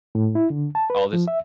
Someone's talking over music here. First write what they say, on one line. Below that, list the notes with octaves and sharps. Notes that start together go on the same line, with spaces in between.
Oh, this
A2
E4
D3
A5
B4
F3
E5